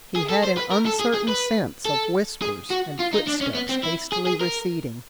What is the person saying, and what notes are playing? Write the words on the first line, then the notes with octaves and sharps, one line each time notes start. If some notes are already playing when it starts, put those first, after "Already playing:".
He had an uncertain sense of whispers and footsteps hastily receding.
G#4
A4
C5
B4
A#4
A4
G#4
G#4
B4
A4
G#4
F#4
F4
D#4
D4
C#4
B3
C4
E4
G#4
G#4
A#4